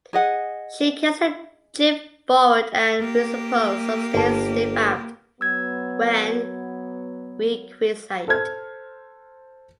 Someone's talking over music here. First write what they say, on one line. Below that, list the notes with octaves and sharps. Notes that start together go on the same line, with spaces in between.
She carries a jib forward and, we suppose, some steering sail aft, when requisite.
G#4 D#5 F#5
A#3 G4
G1 A5
F#3 B3 E6 G#6
A4 C5 F6 G#6